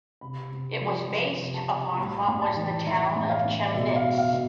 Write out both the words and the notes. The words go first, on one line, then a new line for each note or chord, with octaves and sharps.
It was based upon what was the town of Chemnitz.
C3 B5
C3
F3
F3
C3
A5
C3
A2 B5
C6
A2
A5
E3
G5
E3 E5
A2
F5
A2
D5
B2 E5
F5
B2
F5
B2